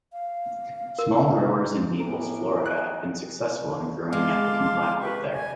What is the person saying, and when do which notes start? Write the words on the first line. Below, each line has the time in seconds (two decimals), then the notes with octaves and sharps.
Small growers in Naples, Florida have been successful in growing African blackwood there.
0.13 F5
0.99 A#4
1.99 A2 E3 B3 A#5 D7
2.66 D#4 G4 G#4 F#6
4.13 G#3 F5 A5 C6 D6
4.99 G4 B4 C#6
5.34 G#5